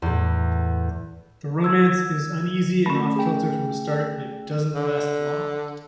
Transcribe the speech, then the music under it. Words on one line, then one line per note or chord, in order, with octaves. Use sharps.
The romance is uneasy and off-kilter from the start, and it doesn't last long.
E2 A2
E6 G#6
A3 C#4 B5
G#4 G5
D3